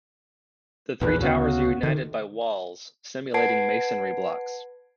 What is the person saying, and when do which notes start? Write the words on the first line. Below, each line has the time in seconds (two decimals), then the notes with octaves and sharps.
The three towers are united by walls, simulating masonry blocks.
1.01 A#1 E2 A#2 B4
1.20 D2 C#3 B3 F#4
1.83 D3 D#3
3.34 B4 F#5 A5 G#6 C7 D7